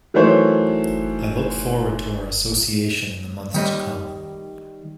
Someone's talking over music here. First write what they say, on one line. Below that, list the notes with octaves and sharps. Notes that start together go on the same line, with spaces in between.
I look forward to our association in the months to come.
D#3 E3 F#3 A3 C5 C#5
D#3 G3 D#5